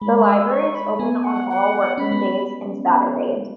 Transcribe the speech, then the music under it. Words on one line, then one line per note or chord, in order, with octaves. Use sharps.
The library is open on all working days and Saturdays.
G#3 B5
E6
C#6
B5
B3 G#5
F#5
F#5
C#4 B5
B3